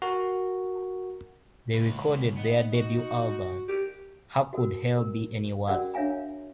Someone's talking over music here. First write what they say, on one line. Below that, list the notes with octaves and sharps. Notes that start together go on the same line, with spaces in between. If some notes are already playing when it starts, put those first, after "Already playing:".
They recorded their debut album, How Could Hell Be Any Worse?
F#4 A#4
C#2 B4
B3 D#4
F#4
G4
F#4 A4 A#4
A#4
C#4 F#4 G#4 A#4 D5 F#5
D4 C#5 E5 F5 G#5 A#5